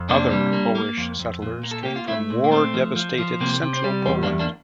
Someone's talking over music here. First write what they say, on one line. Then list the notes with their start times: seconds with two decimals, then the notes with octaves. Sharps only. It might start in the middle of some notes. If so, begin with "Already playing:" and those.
Other Polish settlers came from war-devastated central Poland.
Already playing: F2
0.09 C3 A#3 D4
0.31 G3
0.53 A#3
0.75 A#3
0.97 F2
1.20 F2
1.42 A#2
1.63 A#3
1.71 A4
1.83 A#3 G4
1.96 F4
2.07 A3 C4 E4
2.30 A#2
2.44 A#3
2.52 A3 C4
2.74 F3
2.96 F3
3.18 F3
3.41 C3 A#3
3.62 C3
3.74 C4
3.84 G3
4.06 E2 C4
4.23 A#3 D4
4.28 E2
4.39 A#3 D4